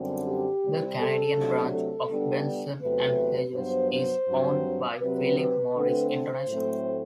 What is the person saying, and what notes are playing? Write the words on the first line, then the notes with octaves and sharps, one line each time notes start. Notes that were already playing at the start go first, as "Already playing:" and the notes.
The Canadian branch of Benson and Hedges is owned by Philip Morris International.
Already playing: F#2 D3 G3 C4
G4
C3 G3 C4
A4
C3 F#3 A3 D4
A4
D3 G3 B3 D4
E2 C3 F#3 A3 B4
G2 F#3 B3 C5
C5
G2 F#3 C4
C3 F#3 C4 B4
B4
D3 A3 C4
C5
A2 F#3 A3 C4